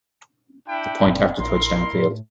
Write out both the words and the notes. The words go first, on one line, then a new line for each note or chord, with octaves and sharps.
The point after touchdown failed.
D4 E4 G5
F#1 A#2 C4
A#1 E4 A#4 C6
A2